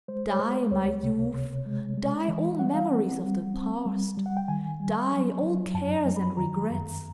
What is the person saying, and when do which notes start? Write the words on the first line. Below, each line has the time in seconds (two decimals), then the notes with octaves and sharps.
Die, my youth, die all memories of the past, die, all cares and regrets!
0.08 G#3 C5
0.29 C#5
0.39 G#3 C5
0.71 C#2 C#5
1.03 C3
1.34 C3
1.66 G#3
1.97 G#3
2.28 E3
2.59 G3 F#5
2.73 F5
2.87 C4 F#5
3.23 G3
3.54 C4
3.85 G3
4.17 G3
4.26 F#5
4.37 G5
4.48 D#3 G#5
4.80 G3
5.12 F#3
5.43 F#3
5.74 F#2 A5
6.05 F#3
6.16 B5
6.37 D#3 A#5
6.69 F#2